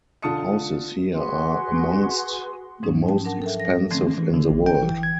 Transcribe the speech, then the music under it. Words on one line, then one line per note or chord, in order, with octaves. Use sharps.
Houses here are amongst the most expensive in the world.
D3 D4 F4 A5 D#6 C#7
F#4 G#4 B4 C6
G#2 F3 F#3 C#4 D#4
G5 A5
D4 A#4 F#5 A5
A4 A#4 E5
F3 A#6
D3 E3 F3 A3 C4 C#4
E3
D3
A1
G5
E3
G#6